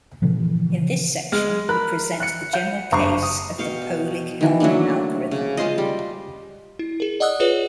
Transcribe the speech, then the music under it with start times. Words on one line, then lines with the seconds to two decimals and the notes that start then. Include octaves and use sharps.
In this section, we present the general case of the Pohlig-Hellman algorithm.
0.22 A#2 C#3 E3 F3
1.32 G#3 F6
1.69 A#4 B5 F#6
2.20 F#6 C#7
2.53 F#5 G6
2.92 F#1 G2 A#5 C#6 D6 C7
3.23 D#6
3.58 B2 F5 G5 C#6
4.41 D#3 E3
4.60 F#3 A3 A#3 D4
5.31 C#3
5.57 G#3 F4 C5 D#5
5.78 G3
6.79 E4
7.00 G#4 A#4
7.20 D5 D#5 F#5 D#6 E6 F#6
7.40 F4 G#4 B4 C#5